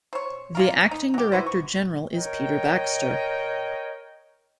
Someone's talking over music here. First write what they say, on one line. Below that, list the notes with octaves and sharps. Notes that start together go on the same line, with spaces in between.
The Acting Director General is Peter Baxter.
C5 C#5
A#3 F4 A#4
D#4
F#3 G4
E4 F#4 B4 C5
C#6
A#4 C#5 D#5 G5